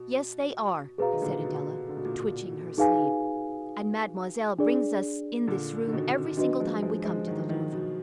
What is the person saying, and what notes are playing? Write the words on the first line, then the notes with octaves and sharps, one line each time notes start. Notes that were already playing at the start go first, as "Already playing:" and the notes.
"Yes, they are," said Adela, twitching her sleeve, "and Mademoiselle brings us in this room every single time we come to the Louvre."
Already playing: B2
B2 G#4 B4 F5 A#5
D#3
A#2 D3
B2
D3
B2
A#2
B2
D#4 G#4 B4 F5 G#5
D4 G#4 D5
A#2 D3
D3
B2 D#3
D#3 F#3 D4 F#4 B4 D#5
F3 G#3
F3 G#3
F3 G#3
D#3 F#3
F3
D#3 F#3
B2